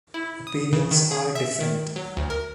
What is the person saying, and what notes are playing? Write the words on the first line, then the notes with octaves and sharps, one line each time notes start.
Opinions are different.
E4
D#6
C#3
D#3
G#4
E5
D#3
F#3
D2
A#4